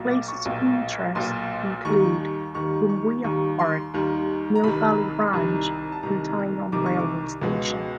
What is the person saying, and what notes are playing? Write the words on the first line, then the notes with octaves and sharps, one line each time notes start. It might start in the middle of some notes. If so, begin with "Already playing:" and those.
Places of interest include Gumbuya Park, Mill Valley Ranch and Tynong railway station.
Already playing: B1 A#2 F#3
D6
C#6
B1 A#2 F#3
B1 A#2 F#3 C6
D#2 D#3 G3 C#6
D#2 D#3 G3 C#6
C#6
D#2 D#3 G3 C#6
C6
D#2 D#3 G3
A#5
C2 C3 D#3 B5
C2 C3 D#3
A5
C2 C3 D#3 A#5
C2 C3 D#3 D6
C#6
D6
C#2 B2 G#3